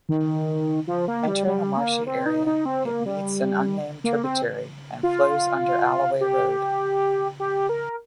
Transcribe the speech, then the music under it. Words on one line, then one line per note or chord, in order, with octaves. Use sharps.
Entering a marshy area, it meets an unnamed tributary and flows under Alloway Road.
D#3
F3
A#3
G3
G3
A#3
C4
D#4
D#4
C4
A#3
G3
A#3
C4
F4
G4
G4
A#4